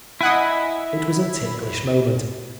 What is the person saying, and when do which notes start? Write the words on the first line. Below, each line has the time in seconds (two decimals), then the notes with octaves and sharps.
It was a ticklish moment.
0.21 E4 D#5 F#5 G#5